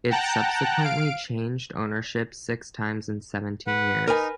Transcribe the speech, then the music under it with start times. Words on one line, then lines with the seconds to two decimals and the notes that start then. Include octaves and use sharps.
It subsequently changed ownership six times in seventeen years.
0.10 F#5 G5 A5 A#5 F#6
0.82 F5 D7
3.67 B4 F#5
4.07 D#4 A#4 B4 G#5